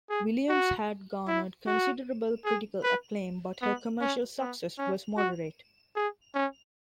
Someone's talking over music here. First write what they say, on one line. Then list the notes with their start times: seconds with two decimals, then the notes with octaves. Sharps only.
Williams had garnered considerable critical acclaim, but her commercial success was moderate.
0.10 G#4
0.49 F#4
1.28 E4
1.67 F#4
2.45 G#4
2.84 B4
3.62 B3
4.01 C#4
4.40 B3
4.79 C#4
5.17 F#4
5.96 G#4
6.35 C#4